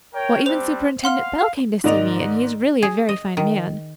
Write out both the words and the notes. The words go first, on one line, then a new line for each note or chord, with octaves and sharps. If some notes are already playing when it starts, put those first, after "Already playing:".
Why, even Superintendent Bell came to see me, and he's really a very fine man.
A#4 C#5 G5
G3 C4 D4 C5 F7
F5 F#5 C6 F6
G#2 D#3 D5 D#5 F7
G#4
D#5
D#3